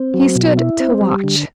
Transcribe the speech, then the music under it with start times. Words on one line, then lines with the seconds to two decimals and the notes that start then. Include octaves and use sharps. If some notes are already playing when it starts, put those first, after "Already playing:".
He stood to watch.
Already playing: C4
0.14 F#3
0.35 B2
0.57 E4
0.80 C4
1.01 G3
1.24 D3